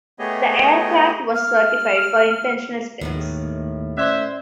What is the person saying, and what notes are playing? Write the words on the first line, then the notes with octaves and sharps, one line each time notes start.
The aircraft was certified for intentional spins.
A3 B3 G4 G#4 C#5 D#5
F6
D#2 A2 D#3 B3
C#4 C5 D5 E5 G#6